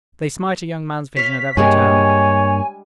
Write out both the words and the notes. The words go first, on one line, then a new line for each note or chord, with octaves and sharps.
They smite a young man's vision at every turn.
C#5 F5 B6
G2 G3 G#3 A#3 D4 C#5 G#5